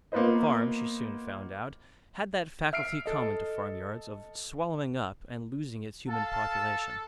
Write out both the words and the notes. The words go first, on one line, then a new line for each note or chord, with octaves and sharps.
The farm, she soon found out, had that faculty common to farmyards of swallowing up and losing its human population.
A#3 B3 F4 B4 C5 D#5
E5 F6 C7 D7
A4 D#5
A4 F5 A5